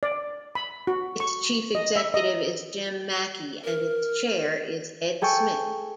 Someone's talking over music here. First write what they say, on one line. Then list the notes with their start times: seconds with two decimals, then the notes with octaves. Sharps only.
Its chief executive is Jim Mackey and its Chair is Ed Smith.
0.03 D5
0.55 B5
0.87 F#4
1.20 C#6
1.75 D#5
1.96 E5
2.14 D#5
3.65 A#4
5.22 G#4 A4 G5 C#6